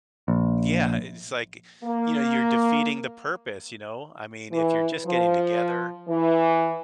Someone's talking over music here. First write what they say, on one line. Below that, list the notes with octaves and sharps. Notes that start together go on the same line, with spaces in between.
Yeah, it's like, you know, you're defeating the purpose, you know? I mean, if you're just getting together,
A#1
A#3
E3
F3
E3